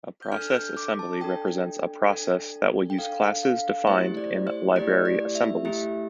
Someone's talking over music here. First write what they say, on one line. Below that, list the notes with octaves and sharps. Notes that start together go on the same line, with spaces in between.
A process assembly represents a process that will use classes defined in library assemblies.
G6
D4 A4 F6
G6
D6
A5
D4 A4 G5
D4 A4
G5
D4 A4 F5
F5
A3 E4 G4 C5
D5
C5
A3 E4 G4 D5
D5
E5
A3 E4 G4 E5